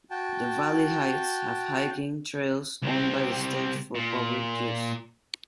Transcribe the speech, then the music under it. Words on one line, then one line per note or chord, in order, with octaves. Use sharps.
The valley heights have hiking trails owned by the state for public use.
F#4 G5 A5
C2 C4
A#2